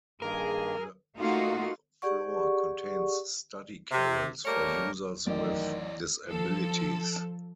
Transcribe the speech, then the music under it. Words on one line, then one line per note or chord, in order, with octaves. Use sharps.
The fourth floor contains study carrels for users with disabilities.
G2 D#3 A#3 G#4 A#4
A3 A#3 D#4 F4 F#4
G4 G#4 D5 F#5 C#6
C3
G3 A3 A#3 A#4 C#5
A1 F#2 D#3 E3 D5
F3 A4